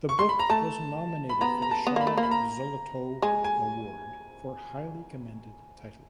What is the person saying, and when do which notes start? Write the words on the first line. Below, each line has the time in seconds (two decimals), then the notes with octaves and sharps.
The book was nominated for the Charlotte Zolotow Award for Highly Commended Title.
0.09 C#6
0.19 C6
0.29 B5
0.39 A#5
0.50 A3 A5
1.29 B5
1.41 B3 A#5
1.62 A#5
1.71 A5
1.87 B3
1.96 A#3 B5
2.07 A3
2.17 A#3
2.23 B5
2.31 A#5
3.22 G#3 G#5
3.44 G#5